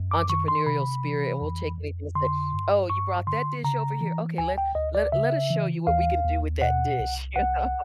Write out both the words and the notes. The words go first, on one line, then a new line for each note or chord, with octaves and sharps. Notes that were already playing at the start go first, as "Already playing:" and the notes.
entrepreneurial spirit and we'll take anything and say, "Oh, you brought that dish over here? Okay, let let let us show you what we can do with that dish." You know?
Already playing: F#2
D6
D#3 C#6
C6
C3 B5
E3
F2
F2
D3 C6
G2
G2 C#6
D3 C6
C#3 A#5
E3
D2 G#5
G5
D2 D#5
D5
C#3 E5
E3
D#2 F5
D#2
B2 F#5
C2
C2 F#5